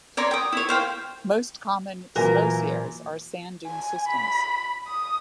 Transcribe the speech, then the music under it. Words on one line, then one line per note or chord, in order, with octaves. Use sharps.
Most common psammoseres are sand dune systems.
C#5 D5 A#5 C6
G5 D#6
E4 C#5
C5 F5 G5
A#2 E3 F#3 A#4 B4 E5 G#5
G#5
B5
D#6